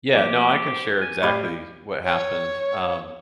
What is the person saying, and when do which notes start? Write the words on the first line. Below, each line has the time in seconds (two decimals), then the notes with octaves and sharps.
Yeah, no, I can share exactly what happened. Um,
0.15 F3 A#3 G4
0.66 C5
1.01 G#5
1.22 A2 G3 G4 C#5 F5
2.05 C#5